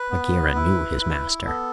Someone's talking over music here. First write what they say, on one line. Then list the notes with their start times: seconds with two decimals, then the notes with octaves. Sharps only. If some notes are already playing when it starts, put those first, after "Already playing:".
Bagheera knew his master.
Already playing: B4
0.11 B3
0.55 E4
1.00 E4
1.46 B3 A4